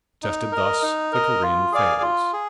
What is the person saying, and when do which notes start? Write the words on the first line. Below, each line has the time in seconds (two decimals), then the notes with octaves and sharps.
Tested thus, the Korean fails.
0.23 D#4
0.52 A#4 D#5
0.83 D#4
1.12 A#4 D#5
1.43 F4
1.72 G#4 D5 F5 G#5
2.02 F4
2.33 G#4